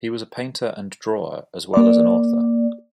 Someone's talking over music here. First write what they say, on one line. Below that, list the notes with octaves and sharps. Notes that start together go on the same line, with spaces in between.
He was a painter and drawer as well as an author.
A#3 D5